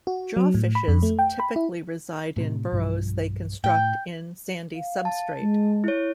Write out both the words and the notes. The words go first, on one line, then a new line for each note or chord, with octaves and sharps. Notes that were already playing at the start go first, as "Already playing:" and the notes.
Jawfishes typically reside in burrows they construct in sandy substrate.
F#4
F#3
A2
B5
F2
A3
G5
B5
E4
A2 C3
B1 G2 F3
A2 G5
F5
A5
G#3
E4 C#5